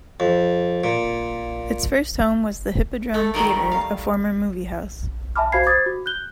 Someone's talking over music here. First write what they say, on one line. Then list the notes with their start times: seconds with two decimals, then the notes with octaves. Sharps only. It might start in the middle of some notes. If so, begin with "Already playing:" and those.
Its first home was the Hippodrome Theatre, a former movie house.
0.20 F2
0.84 A#2
3.14 A3 A4
3.34 D#3 F#3 G3 A#5
3.72 F5
5.36 E5 G#5 A5 B5 D6 F6
5.52 F#4 C5 F5 B5 G#6 C7
5.67 C5 D6 D#6 G#6 A6
5.86 F#4
6.06 F#6 G6 G7